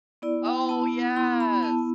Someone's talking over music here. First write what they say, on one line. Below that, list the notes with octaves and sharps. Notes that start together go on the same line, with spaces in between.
Oh, yes.
B3 E4 D5
G5
B3 E4 A5
B3 E4 C6
B5
B3 E4 A5